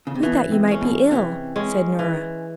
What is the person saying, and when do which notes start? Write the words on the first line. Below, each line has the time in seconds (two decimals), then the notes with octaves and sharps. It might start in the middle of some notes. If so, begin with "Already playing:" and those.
"We thought you might be ill," said Nora.
0.07 C#3
0.15 C3
0.23 B2 E3
0.52 C3
0.68 G#3 C#4
0.81 B2
1.11 C3 E3
1.56 G#3 C#4
1.99 E3